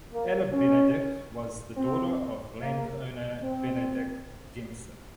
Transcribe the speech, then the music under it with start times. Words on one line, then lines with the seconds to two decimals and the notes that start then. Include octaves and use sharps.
Anna Benedicte was the daughter of landowner Benedict Jenssen.
0.12 A#3
0.53 C#4
1.77 C4
2.60 A#3
3.42 C4